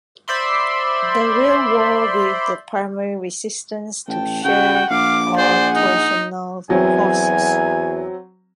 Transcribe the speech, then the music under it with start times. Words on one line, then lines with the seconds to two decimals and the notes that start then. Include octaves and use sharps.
The rear wall with the primary resistance to shear or torsional forces.
0.28 C5 D5 E5 B5 C6
4.08 A1 G5 A5
4.45 C#3 F#4 F#5 G5
4.91 A#1 F5 D6
5.37 G#4 C5 D5 F#5
5.76 D#4 D#5
6.70 E2 F#3 C4 G#5